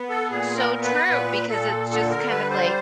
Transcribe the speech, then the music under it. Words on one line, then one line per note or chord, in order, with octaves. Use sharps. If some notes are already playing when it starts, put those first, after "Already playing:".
so true because it's just kind of like,
Already playing: B3
A4
A#2 G#4
A#4
B3
B4
A#2 B4
A#2 A4
D3 A4
A#4
G3 B4
C5